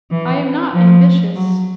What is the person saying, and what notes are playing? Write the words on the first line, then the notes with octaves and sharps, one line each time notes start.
"I am not ambitious."
E3
F3
F#3